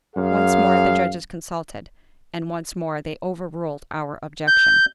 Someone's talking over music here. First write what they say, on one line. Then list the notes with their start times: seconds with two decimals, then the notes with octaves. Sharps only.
Once more the judges consulted, and once more they overruled our objection.
0.16 F#2 G#4 F5
4.48 G6